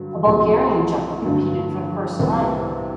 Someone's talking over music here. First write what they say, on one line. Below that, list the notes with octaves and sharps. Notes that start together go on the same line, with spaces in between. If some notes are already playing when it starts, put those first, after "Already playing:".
A Bulgarian jumper competed for the first time.
Already playing: G2 D3 F#3
C2 B2 A3
G2 D3 F#3 A3
C2 C3 E3 G3 B3